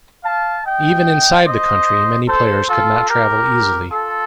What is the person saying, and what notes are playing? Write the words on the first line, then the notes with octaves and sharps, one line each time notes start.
Even inside the country, many players could not travel easily.
F5 A5
D#5 G5
C5 D#5
A4 C5
F4 A4
G4 A#4
F4 A4